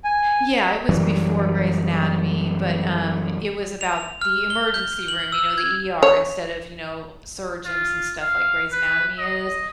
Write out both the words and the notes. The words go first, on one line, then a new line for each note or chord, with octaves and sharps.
Yeah, it was before Grey's Anatomy but, um, it was about the emergency room, you know, the ER instead of, you know, surgeons and stuff like Grey's Anatomy is,
G#5
F#2 E3 G3
F7
F6
G7
G6
F#7
E6
G#6
C#5
F4
F5
B4
D#5